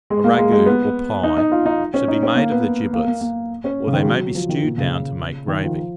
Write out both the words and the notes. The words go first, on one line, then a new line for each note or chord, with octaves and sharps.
A ragout, or pie, should be made of the giblets, or they may be stewed down to make gravy.
G#3
A#3
G#3
G#3
B3
D#4
D#4
F4
D#4
C#4
D#4
C#4
A#3
B3
A#3
A#3
A#3
C#4
C#3
D#3
G#3
F#3
F3
D#3
A#2
C#3
D#3
F3